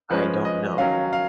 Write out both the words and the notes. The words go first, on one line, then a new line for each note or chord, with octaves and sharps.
I don't know.
F3 G#3 C#4 B4
D#5
D#3 F#3 C#4 F5
F5